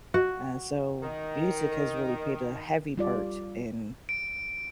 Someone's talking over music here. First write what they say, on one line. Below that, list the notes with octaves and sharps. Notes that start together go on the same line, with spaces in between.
uh, so music has really paid a heavy part in
F#4
D#3
G3 F4 D5
D7